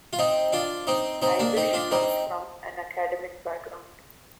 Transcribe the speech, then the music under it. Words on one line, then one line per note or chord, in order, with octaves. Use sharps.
Ibish comes from an academic background.
F4
C4 D#4
D4 F4
C4 D#4
C4 D#4
A#3 D4
C4 D#4
D4 F4
C4 D#4